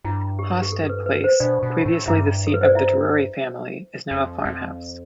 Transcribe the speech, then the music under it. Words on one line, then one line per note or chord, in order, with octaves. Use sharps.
Hawstead Place, previously the seat of the Drury family, is now a farmhouse.
G2 E4
G4
G4
A4
A4
B4
B4
C5
B2 D4 D5
B2
A2
G2 E4 E5
A4
B4
C5
D5
E4 E5
F2
F2